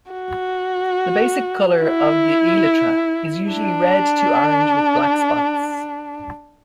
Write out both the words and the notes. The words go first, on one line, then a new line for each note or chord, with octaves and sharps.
The basic color of the elytra is usually red to orange with black spots.
F#4
E4
D4